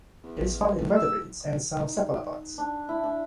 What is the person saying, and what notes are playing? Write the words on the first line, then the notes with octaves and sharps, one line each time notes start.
It is found in vertebrates and some cephalopods.
E2
A1
A2 A3
E6
D#4
D4
E4
D4